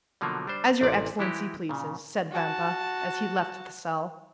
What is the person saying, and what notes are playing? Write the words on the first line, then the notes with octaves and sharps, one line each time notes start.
"As your excellency pleases," said Vampa, as he left the cell.
B2 D3 F3 F#3 A#3
G3 D4 C5
A1 C3 D5
E3 G#3 E4 F#4 G4
A#2 C#3
F#4 A5